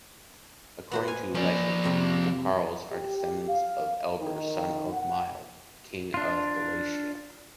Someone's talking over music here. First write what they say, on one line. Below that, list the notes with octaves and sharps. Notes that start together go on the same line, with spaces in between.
According to the legend, O’Carrolls are the descendants of Eber, son of Mile, king of Galicia.
B3 F#4 C5
F5 G#5
F3 C#4 D5
F2 C3 G5
G4
F5
D#3
F#5
D4 F4